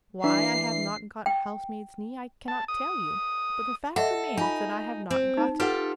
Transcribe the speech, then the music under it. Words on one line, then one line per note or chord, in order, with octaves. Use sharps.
Why I have not got housemaid's knee, I cannot tell you; but the fact remains that I have not got it.
E3 D4 E5 C7
G5
A5
D#6
A4 D#5 E5 F#5
D#4 F4 G#5
C4
D#4
F4 G4 A4 B4 F#5